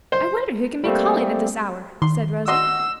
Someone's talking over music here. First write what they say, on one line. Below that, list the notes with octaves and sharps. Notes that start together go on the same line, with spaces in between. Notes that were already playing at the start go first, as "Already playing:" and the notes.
"I wonder who can be calling at this hour," said Rosa.
C5
G3 A3 A#3 C4
D#3 C6
F#4 D#5 C6 E6